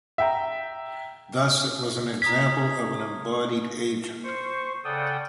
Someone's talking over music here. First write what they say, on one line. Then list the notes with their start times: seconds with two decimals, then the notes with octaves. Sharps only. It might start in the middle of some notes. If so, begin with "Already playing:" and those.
Thus it was an example of an embodied agent.
0.18 E5 G5 A#5
2.22 A#5 D#6 G#6 B6
4.24 C5 C#6
4.85 C#3 A4 D5 F#5 G5 D#6